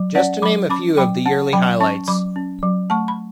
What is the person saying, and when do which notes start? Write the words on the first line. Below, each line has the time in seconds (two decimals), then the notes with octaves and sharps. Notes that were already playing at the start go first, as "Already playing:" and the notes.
Just to name a few of the yearly highlights.
Already playing: F#3
0.15 C#4 D5 F#5
0.42 F#3 B5 D6
0.70 C#4 B5 D6
0.97 F#3 G5 B5
1.26 C#4 F#5 A5
1.53 F#3 G5 B5
1.80 C#4 A5 C#6
2.08 F#3 B5 D6
2.36 C#4
2.63 F#3
2.90 A3 A5 C#6
3.08 B5